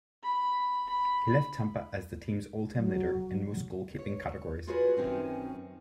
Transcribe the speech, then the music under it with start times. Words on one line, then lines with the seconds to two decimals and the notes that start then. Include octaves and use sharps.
He left Tampa as the team's all-time leader in most goalkeeping categories.
0.23 B5
0.88 B5
2.75 F#3
3.99 C#5
4.67 F4 F#4 G#4 A#4 B4 C#5
4.97 F#2 D#3 C4 C#4